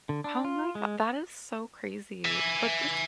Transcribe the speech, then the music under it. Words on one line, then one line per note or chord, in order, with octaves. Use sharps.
Oh, my go that is so crazy, but, this
D3
D4
F4
G#3
E5 G#5